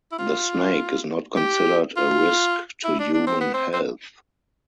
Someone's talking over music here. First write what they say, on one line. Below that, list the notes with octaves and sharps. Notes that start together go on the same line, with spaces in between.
The snake is not considered a risk to human health.
E4
F4
G4
F4
E4
D4
D4
C4
B3
C4
C4